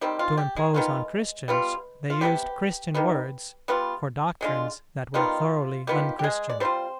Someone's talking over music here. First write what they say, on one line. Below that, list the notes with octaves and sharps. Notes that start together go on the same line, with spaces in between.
To impose on Christians they used Christian words for doctrines that were thoroughly unchristian.
D#3 G3 C4 G4
F4
G4
G#3 G#4
D#3 B3 F4
G3 B3 F4
F4
C3 F3 B3 G4
D#3 G3 B3
G3 B3 F4
D3 G#3 D4 F4
D#3 G3 B3 D#4 F4
D#3 B3 F4 G4
G4
G#3 G#4
D5
G3 C4 D4 F4 C5